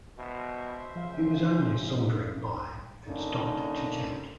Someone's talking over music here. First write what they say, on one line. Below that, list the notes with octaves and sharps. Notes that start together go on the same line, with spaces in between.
He was only sauntering by and stopped to chat.
B2 C5 E5
C#2 F3 F5
D3 F3 F#3 A#3 C#4 D#4